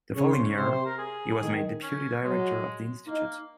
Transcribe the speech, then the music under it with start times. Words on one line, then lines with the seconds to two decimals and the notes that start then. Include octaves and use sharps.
The following year, he was made Deputy Director of the Institute.
0.16 C#3 C#5
0.29 C5
0.43 C#5
0.57 C3 C5
0.71 C5
0.86 A#4
0.98 G#4
1.41 D#3
1.83 C#4
2.24 F#3 G#3
3.07 A#3 D#4